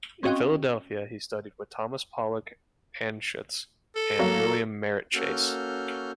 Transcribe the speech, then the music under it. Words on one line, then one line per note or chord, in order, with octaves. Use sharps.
In Philadelphia he studied with Thomas Pollock Anshutz and William Merritt Chase.
C4 C#4 F#4 D#5 F5 G5
A4
F#3 A#3
A#3 C#4 F#4 A4 F6 G6